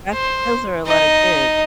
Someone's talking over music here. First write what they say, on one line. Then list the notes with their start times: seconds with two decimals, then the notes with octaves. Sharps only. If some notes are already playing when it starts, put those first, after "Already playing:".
That's those are a lotta kids.
0.13 C5
0.86 D#4 D#5